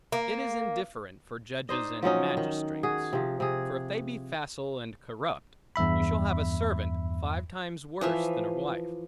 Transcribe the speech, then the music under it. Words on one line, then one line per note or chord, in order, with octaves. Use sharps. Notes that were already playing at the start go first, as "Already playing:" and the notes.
It is indifferent for judges and magistrates; for if they be facile and corrupt, you shall have a servant, five times worse than a wife.
A#3
D4 D#4 C5 D#5
F3 F#3 C#4 D#4
D#3
F#4 G#4
C3 F3
C3 G#4
E2 G2 E5 B5
E3 F3 E5